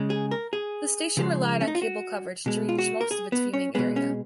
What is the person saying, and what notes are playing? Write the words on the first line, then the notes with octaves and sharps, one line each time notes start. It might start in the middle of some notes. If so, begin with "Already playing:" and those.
The station relied on cable coverage to reach most of its viewing area.
Already playing: C#3 G#3
G#4
A#4
G#4
C#3 F3 G#3
C#4
D#4
F4
F#4
B2 G#3
F4
F#4
A#4
G#4
B3
C#4
B2 G#3 B3
C#4